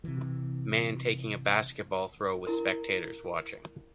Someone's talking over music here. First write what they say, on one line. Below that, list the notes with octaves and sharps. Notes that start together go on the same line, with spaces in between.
Man taking a basketball throw with spectators watching.
C3 E3
E4 A#4